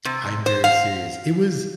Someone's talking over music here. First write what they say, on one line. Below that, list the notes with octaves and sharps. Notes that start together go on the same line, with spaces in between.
I'm very serious. It was
C3
C5
F5